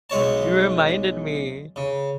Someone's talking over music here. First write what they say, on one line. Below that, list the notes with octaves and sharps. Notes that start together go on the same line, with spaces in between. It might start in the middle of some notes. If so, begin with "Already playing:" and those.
You reminded me.
B1 G#3 C#5 A5
C#3